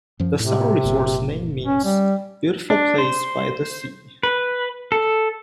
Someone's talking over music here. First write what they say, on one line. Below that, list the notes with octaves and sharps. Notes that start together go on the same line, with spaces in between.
The summer resort's name means "beautiful place by the sea".
F#2 F3
A2 C3
F#1 A#2
C#4
G3
D4
C5
B4
A4